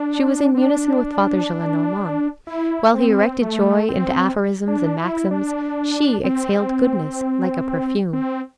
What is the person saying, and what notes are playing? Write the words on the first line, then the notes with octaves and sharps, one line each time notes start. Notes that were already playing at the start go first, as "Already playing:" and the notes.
She was in unison with Father Gillenormand; while he erected joy into aphorisms and maxims, she exhaled goodness like a perfume.
Already playing: D4
C4
D4
E4
C4
A3
C4
D4
E4
D4
C4
C4